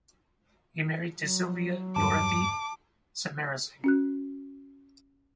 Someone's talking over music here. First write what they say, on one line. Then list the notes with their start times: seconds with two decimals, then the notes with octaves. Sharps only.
He married to Sylvia Dorothy Samarasinghe.
1.18 F#3
1.96 E2 G2 A5 D6
3.84 C#4 F#4 F#6